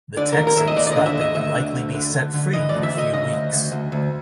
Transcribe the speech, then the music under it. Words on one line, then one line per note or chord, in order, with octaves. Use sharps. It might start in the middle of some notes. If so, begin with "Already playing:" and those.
The Texans thought they would likely be set free in a few weeks.
D3 D5
D#2 A#4
A#4
D#2 E5
D#5
D#2 D5
D5
D3 D#5
E5
D#2
D#5
D2 E5
D3
D2
D3
D3
D3
E3 D#5
D5
D2
E5
D2
D#5
C#3 D#5
D2
D2
D2
D2